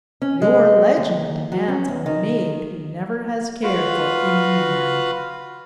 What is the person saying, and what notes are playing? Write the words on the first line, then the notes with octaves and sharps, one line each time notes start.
"Your legend demands a maid who never has cared for any man."
C#4
G#3
D#2
F#3
C#4
E2
D#3
F4 F#4 B4 F5 B5